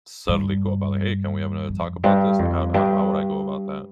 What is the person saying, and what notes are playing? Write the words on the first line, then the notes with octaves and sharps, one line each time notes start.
suddenly go about it? Like, "Hey. Can we have another talk about this?" Like, how how how would I go about that?
G2
F2
G2
F2
G2